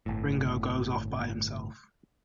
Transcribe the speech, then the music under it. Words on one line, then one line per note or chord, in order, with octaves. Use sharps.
Ringo goes off by himself.
G1 A2